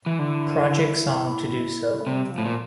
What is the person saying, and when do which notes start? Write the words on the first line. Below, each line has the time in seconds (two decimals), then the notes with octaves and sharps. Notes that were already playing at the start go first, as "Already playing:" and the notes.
Project song to do so.
0.06 E3
0.18 D3 E4
2.01 A3
2.07 C3 G3
2.31 F3
2.38 A2
2.45 A#2